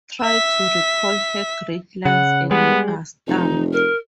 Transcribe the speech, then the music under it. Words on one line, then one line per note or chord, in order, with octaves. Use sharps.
Try to recall her great lines and you are stumped.
E5 B6
C#3 F#5
G3 G#3 B3
F1 D#4
A#4